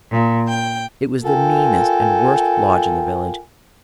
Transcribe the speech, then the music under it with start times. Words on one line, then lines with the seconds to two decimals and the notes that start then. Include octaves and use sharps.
It was the meanest and worst lodge in the village.
0.11 A#2
0.47 G5
1.24 F4 A4 A#4 G5 G#5